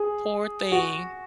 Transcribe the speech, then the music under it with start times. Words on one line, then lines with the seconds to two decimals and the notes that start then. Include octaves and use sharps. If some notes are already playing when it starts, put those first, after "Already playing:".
Poor thing,
Already playing: G#4
0.72 F#4